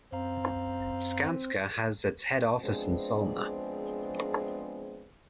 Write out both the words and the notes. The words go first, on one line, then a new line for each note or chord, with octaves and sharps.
Skanska has its head office in Solna.
F#2 C4 F5 A#5
F3 G#3 B3 C4 D4 G#4